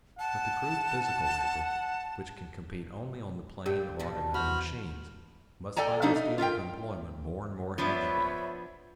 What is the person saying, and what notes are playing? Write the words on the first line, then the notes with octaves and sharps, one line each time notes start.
But the crude physical labor which can compete only on the plane of automatic machines, must find its field of employment more and more hedged in.
F#5 A5
A#2 G4 G5
B2 D3
E2 F#4 C5 B5 F6
A4 D5 G5 G#5 A#5
F2 F3 A3 D4 D#4
D#4
F4 A#4 E5 G5
F3 B3 D4 C#5 E5 B5